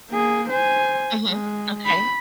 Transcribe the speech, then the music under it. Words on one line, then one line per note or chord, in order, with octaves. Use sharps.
Mhm. Okay.
A#3 G#4
C5 G#5
G#3
B5